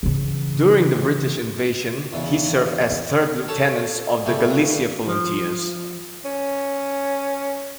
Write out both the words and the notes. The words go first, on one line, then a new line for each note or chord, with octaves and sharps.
During the British Invasions he served as Third Lieutenant of the Galicia Volunteers.
C#3 E3
E2 G#2 C#3
A4 C#5 A5
C#3 G3 A3
F3
C#4